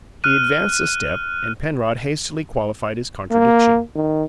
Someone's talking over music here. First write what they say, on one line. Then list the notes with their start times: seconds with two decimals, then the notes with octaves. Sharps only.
He advanced a step and Penrod hastily qualified his contradiction.
0.24 F6 F#6 D#7
3.31 A#3
3.95 D#3